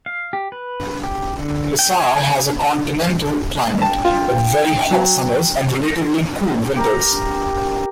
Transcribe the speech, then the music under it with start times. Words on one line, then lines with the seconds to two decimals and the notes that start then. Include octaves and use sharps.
Hisar has a continental climate, with very hot summers and relatively cool winters.
0.06 F5
0.33 G4
0.52 B4
1.04 G4
1.38 D3
1.79 G5
2.00 G#5
3.82 G5 A5
4.04 F4
4.91 F#3
6.76 G4 A#4 A#5